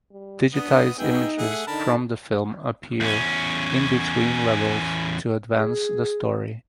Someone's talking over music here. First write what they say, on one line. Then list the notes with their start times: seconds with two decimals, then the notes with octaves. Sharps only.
Digitized images from the film appear in between levels to advance the story.
0.11 G3
0.54 B3 D4 D#6
0.99 B3 D#4 G#4 E5 G5
1.38 A3 G#4 E5 F#5
1.67 D3 D#4 A#4 A5 B5
3.00 E2 C#4
5.57 G#4